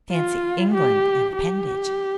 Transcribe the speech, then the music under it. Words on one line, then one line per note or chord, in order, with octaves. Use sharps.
Fancy England an appendage!
F4
G4
G4